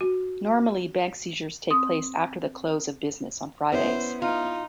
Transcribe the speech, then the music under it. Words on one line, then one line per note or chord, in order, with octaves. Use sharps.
Normally, bank seizures take place after the close of business on Fridays.
F#4
C4 D#6
B3 C#4 E4 C5
D#4 F4